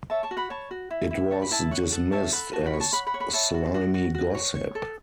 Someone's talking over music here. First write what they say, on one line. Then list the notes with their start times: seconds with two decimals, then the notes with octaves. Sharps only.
It was dismissed as "slimy gossip".
0.10 C#5 E5 A5
0.23 A5 C#6
0.31 F#4
0.37 F#5 B5
0.50 C#5 A5 C#6
0.71 F#4
0.91 E4
1.11 E4
1.31 C#5 A5
1.42 B5
1.51 E4 E5 A5
1.71 C#5 F#5
1.92 A4 F#5
2.12 C#5 E5 A5
2.32 A4 F#5 B5
2.53 F#4 A5 C#6
2.66 F#5 B5
2.74 C#5
2.80 A5 C#6
2.93 C#5 F#5 B5
3.07 F#5 B5
3.14 C#5
3.20 F#5 B5
3.33 C#5 E5 A5
3.54 F#4
3.74 F#4
3.94 F#4
4.15 F#4
4.35 C#5
4.55 C#5
4.75 A4